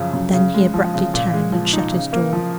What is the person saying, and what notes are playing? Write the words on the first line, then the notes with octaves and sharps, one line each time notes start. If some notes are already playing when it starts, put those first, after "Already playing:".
Then he abruptly turned and shut his door.
Already playing: F#2 C#3 F3
F#2
C#3
G#3
F3
C#3
A#2
G#3
F3
D#4
C#3
A#3
F3